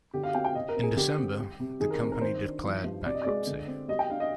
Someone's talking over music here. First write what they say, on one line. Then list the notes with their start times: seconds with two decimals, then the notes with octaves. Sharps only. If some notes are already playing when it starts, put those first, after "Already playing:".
In December, the company declared bankruptcy.
0.14 D3 G4
0.23 F5
0.34 C4 G5
0.45 G5
0.55 C3 D#5
0.69 A#4
0.76 C4
0.83 G#4
0.97 D3 G4
1.18 C4
1.39 G3
1.60 C3
1.80 D#3 G#4
1.90 A#4
2.01 C4 A#4
2.12 A#4
2.21 D#3 C5
2.42 D4
2.64 F3
2.84 G2
3.05 C3 D5
3.14 D#5
3.23 G#3 D5
3.47 D3
3.67 C4
3.88 G3 D#5
3.99 G5
4.10 D4 F5
4.20 D#5